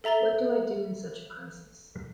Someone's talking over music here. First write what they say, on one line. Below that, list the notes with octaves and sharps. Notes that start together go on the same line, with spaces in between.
What do I do in such a crisis?
A4 E5 A#5 A6 G7